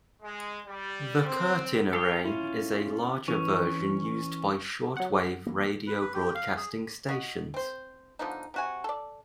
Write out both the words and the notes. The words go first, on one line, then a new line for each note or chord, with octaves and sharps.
The curtain array is a larger version used by shortwave radio broadcasting stations.
G#3
G3
C4
A4 F5 G5
C#4 E4 F4
E3 C#4
F#3 F#5
E3 A#3
B4
B4
G4
F5
G#4
F#4 D#5
C4 C5
D3 F3 B3 D#4
C3 F#4 G#5
A4 D5